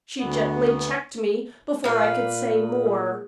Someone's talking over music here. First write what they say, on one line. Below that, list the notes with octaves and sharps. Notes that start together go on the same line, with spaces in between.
She gently checked me before I could say more.
D2 B3
A#2 A#3 B4 F5
G#4